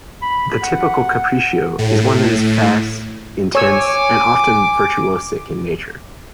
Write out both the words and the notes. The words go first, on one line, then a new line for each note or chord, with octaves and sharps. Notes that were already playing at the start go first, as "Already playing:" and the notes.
The typical capriccio is one that is fast, intense, and often virtuosic in nature.
B5
F#5
A2
C#5 G#5 D6 E6